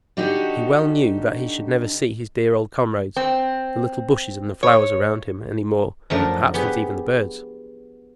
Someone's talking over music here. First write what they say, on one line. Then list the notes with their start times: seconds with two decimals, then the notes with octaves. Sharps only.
He well knew that he should never see his dear old comrades, the little bushes and flowers around him, anymore; perhaps not even the birds!
0.17 D3 D4 D#4 F#4 G4 A4
3.16 C4
4.63 C#5
6.10 F#2 F3 A3 D4 A#4
6.54 B3 G4 G#4